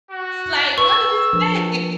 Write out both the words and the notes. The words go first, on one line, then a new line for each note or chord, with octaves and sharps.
like, what do you say,
F#4
B4 C#6 E6
F3 D4 A#4